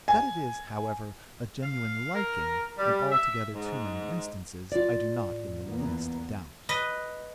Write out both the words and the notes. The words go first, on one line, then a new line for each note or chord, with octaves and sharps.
That it is, however, a genuine liking, in altogether too many instances, I do not, in the least, doubt.
G#5
F5
A#4
G3
E5
G#2
F4 D5
A2
E2 A#3 B3
B4 D#5